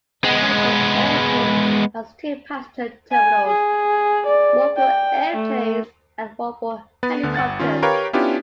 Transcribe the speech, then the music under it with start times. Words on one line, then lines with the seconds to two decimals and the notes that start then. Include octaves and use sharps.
Stavanger Airport has two passenger terminals, one for airplanes and one for helicopters.
0.24 G#3 B3
3.12 G#5
3.47 G#4
4.26 D5
4.77 G5
5.35 A3
7.03 B3 B4 A6
7.23 D2 D3 B3
7.36 G1 F#5 A6
7.59 D#3 C#4 F4
7.82 G4 A#4 B4 C#5 F5 G5
8.13 B3 C#4 D4 E4 F4 G4